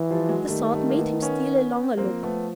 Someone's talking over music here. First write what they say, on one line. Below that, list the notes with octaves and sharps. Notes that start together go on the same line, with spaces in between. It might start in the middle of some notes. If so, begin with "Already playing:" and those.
The thought made him steal a longer look.
Already playing: E3
F3 G3
F#3 G#3
D#3 G3 A3
G3 A3
A#3
A3 B3
B3 C#4
F3 A#3 C4
A3 B3